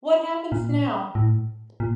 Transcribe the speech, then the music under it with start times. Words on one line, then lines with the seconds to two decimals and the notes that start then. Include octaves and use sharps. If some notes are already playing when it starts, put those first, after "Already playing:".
What Happens Now?
0.52 A#2
1.15 A2
1.80 A#2